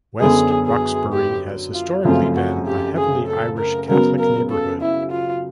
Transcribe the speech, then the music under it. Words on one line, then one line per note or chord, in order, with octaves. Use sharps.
West Roxbury has historically been a heavily Irish Catholic neighborhood.
F#2 D3 F#3 B3 G#4
G#4
G4
F4
F#2 C#3 F3 A3 C4 F4
F#4
G4
G#4
A4
A#4
C#3 F#3 B3 A#4
A#4
A4
E4
F4